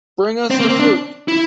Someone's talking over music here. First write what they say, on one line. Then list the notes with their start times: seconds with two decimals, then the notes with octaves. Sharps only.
Bring us the flute!
0.51 C4
0.60 A#3
0.70 C4
0.79 D4
1.28 E4